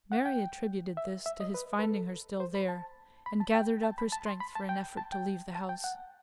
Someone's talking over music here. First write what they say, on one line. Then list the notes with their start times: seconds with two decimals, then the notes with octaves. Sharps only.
Mary attributed this to his finding her still there, and gathered up her strength for an effort to leave the house.
0.12 F#5
0.26 G5
0.97 E5
1.26 E5
1.40 D#5
1.54 B4
1.79 B4
1.83 A4
2.40 C5
2.55 B5
2.68 A5
3.26 B5
3.40 A5
3.55 G5
3.83 A5
3.98 B5
4.12 A5
4.26 C6
4.40 B5
4.55 A5
4.69 G5
4.97 A5
5.12 G5
5.55 A5
5.69 G5
5.84 F#5